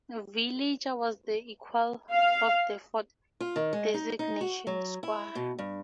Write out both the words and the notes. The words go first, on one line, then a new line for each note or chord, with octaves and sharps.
Villager was the equal of the Ford designation "Squire".
F5
F4
D#3
G#3
D#4
D#4
F#4
F#3
E4
B2
G2